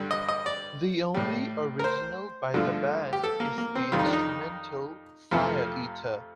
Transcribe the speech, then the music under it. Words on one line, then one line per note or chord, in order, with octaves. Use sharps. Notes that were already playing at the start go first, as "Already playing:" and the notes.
The only original by the band is the instrumental "Fire Eater".
Already playing: G2 D3 G3
D#5
D#5
D5
A2 G3
A#4
C5
G2 D3 F3 A3
G4
A4
A#3
A#3
C4
F2 D#3 G3 F4
D#4
D4
D#4
F2 C3 F3 A3 F4